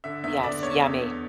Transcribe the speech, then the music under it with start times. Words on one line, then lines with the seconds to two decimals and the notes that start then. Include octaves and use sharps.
Yes, yummy.
0.04 D3 E5
0.23 E2 E5
0.43 D3 D5
0.63 E2 C#5
0.82 E2
1.02 E2